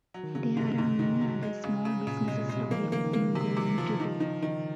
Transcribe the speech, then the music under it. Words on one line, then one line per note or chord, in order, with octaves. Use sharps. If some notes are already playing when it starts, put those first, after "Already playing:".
There are many other small businesses located in Gulen today.
F#3
D#3
C#3 F#3
G#2 C3
G#2
D#3
F#3
G#3
C#3
C#3
A#2 C#3
C3
G#3
A#2
G#3
C3
F3 A#3
D#3
C#3 A#3
D#3
A#3
C3
C3
F3
D#3
D#3
D#3